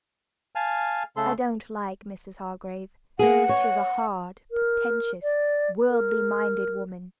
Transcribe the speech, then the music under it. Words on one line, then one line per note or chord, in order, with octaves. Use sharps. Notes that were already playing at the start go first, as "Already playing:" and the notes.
I don't like Mrs. Hargrave; she is a hard, pretentious, worldly-minded woman.
F5 G#5 A5 F6
C#3 A3 A4 C6
A#3 B3 G#4 F#5
C#5
A#4
D5
A#4